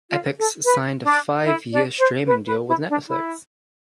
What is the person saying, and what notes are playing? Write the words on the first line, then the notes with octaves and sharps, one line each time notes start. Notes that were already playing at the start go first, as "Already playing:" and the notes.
Epix signed a five-year streaming deal with Netflix.
F4
A4
B4
D4 D5
E4 E5
D4 D5
C5
B4
B4
E4
D4
E4